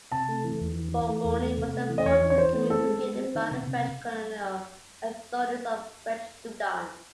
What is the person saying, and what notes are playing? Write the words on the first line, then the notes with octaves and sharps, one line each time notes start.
Bougouni was the fourteenth commune created by the French colonial authorities of French Sudan.
C3 A5
A3
E3
E2
E3
E3
A3
E2
A3
C3
A3
E3
D#5
E2 C#5
E3
C#5
E3 C5
A3
C4 A4
G#3
G#3
C4
D#3
C3
C3